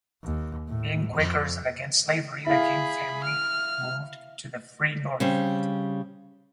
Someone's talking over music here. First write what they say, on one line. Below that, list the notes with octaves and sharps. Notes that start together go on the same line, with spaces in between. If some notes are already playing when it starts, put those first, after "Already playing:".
Being Quakers and against slavery, the King family moved to the free North.
D#2
A2
F2
E4 G#4 F5 B5
F6
C#3 G3 C4